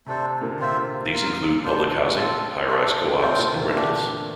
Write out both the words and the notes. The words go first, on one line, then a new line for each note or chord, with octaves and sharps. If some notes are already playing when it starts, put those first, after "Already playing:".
These include public housing, high-rise co-ops and rentals.
C3 A3 D4 A4 C5
A#2 D3
C3 C4 F4 C5 E5
F4 A#4 F5
C3 A#3 D4 F4 C5
C4 F4 A4
D4 A4 E5
C3 A3 C4 F4 C5
A#2 D3
C3 E3
A#2 D3 A3 D4 G4